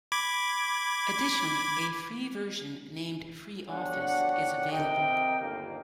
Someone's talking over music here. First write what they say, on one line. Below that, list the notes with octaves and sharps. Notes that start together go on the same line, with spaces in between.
Additionally, a free version named FreeOffice is available.
B5 D6 G#6
G1 D4 F#4 G4 C#5 F#5
F2 C3 A#4 D#5 G5
G1 D#2 A#3